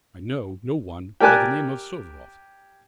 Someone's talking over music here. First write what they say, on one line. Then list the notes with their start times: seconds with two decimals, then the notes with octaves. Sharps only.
I know no one by the name of Souvaroff.
1.20 G4 A#4 D5 G#5 A5 F#6